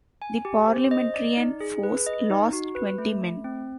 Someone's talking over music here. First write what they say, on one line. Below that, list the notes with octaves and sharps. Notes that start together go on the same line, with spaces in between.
The Parliamentarian force lost twenty men.
G#5
G4
C5
D#5
D5
D#4
G#4
B4
D#5
D#4
F#4
B4
A3
A3
C4